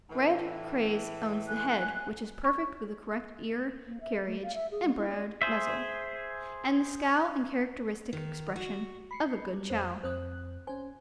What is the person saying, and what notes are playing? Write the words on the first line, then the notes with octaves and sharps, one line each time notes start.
Red Craze owns the head which is perfect with the correct ear-carriage and broad muzzle, and the scowl and characteristic expression of a good Chow.
A2 E3
G#5 F#6
C#6
A#3
E5
A3
F5
E5
G#4
G#3
E4
D5
G#4 C5 E5
D#3
F#4
B5 C7 C#7
G3
F2 C5
F2 C4 C5 D#6 F#6
C#4 C5 G#5